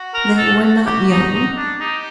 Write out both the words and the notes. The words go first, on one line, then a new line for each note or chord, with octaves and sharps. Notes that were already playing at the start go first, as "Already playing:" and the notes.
They were not young.
Already playing: F#4
A#4
A4
G4
D#4
D#4
D4
D#4 G4